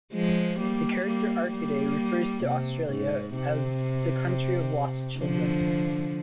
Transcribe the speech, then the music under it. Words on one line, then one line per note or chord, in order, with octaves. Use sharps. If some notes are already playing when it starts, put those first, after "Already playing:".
The character Arkady refers to Australia as "the country of lost children".
F3 G#3
G3 A#3
G3 A#3
G3 A#3
C3
G#2
C3
D3 F3